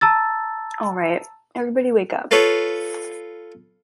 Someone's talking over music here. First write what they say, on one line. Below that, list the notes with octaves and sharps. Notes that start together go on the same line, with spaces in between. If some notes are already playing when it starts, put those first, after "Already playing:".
All right, everybody wake up.
A5 A#5 E6 A6
F4 A4 B4 C#5